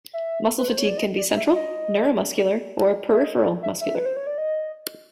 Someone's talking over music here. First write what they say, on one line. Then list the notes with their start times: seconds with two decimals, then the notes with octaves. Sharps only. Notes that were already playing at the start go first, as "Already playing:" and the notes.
Muscle fatigue can be central, neuromuscular, or peripheral muscular.
0.13 E5
0.58 B4
0.68 C5
0.78 C#5
0.89 D5
0.98 D#5
1.18 D5
1.36 E5
1.55 D#5
3.13 E5
3.24 D#5
3.37 C#5
3.43 D5
3.63 E5
3.81 E5
3.95 B4
4.06 C5
4.16 C#5
4.27 D5
4.38 D#5